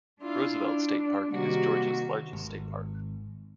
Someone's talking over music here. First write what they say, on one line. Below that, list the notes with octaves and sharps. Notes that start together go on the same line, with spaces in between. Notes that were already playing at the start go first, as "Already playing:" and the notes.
Roosevelt State Park is Georgia's largest state park.
D4 E4 F4 F5
D4
C3 D#3 G3 A#3 F#4
G#1